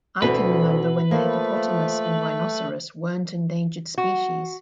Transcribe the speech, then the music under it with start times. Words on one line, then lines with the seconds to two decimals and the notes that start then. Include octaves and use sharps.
I can remember when the hippopotamus and rhinoceros weren't endangered species.
0.22 D2 B2 E3 C4 B4
1.11 F3 A3 A#3
3.98 F#4